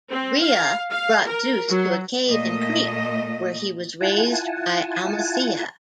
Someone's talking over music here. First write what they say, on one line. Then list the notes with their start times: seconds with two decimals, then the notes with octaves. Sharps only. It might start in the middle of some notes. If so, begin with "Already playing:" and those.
Rhea brought Zeus to a cave in Crete, where he was raised by Amalthea.
0.11 C4
0.41 F5
0.91 F5
1.25 A#4
1.69 F#3
2.28 A#2 A3 D#5
4.01 E4 F4 F#5 G#5 A5